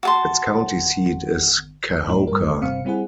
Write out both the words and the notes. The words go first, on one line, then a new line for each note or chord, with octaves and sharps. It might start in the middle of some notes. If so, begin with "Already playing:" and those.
Its county seat is Kahoka.
F#4 A5 C6
A2 D#4
G2 A#4
A3
G1 G2 C3 C4 F5 C#7
G3 C4 E4 G#4 F#5